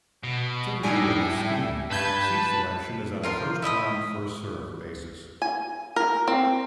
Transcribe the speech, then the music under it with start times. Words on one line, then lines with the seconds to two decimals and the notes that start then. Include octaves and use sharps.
Typically in this scheme, seat selection is on a first-come, first-served basis.
0.24 B2
0.83 A2 G3 D4 D#4 G#5
1.21 E5
1.91 G2 B4 A5 B5 G6 G#6
3.23 F4 A#4 C5
3.62 E4 D#5 B5 D#6
5.42 G#5
5.96 A#4
6.28 C4